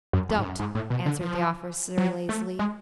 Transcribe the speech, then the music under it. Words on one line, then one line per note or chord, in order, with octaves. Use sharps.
"Don't," answered the officer lazily.
F#2
F2
G#2
F#2
G#2
A2
B2
D3
F3
F#3
A3
G#3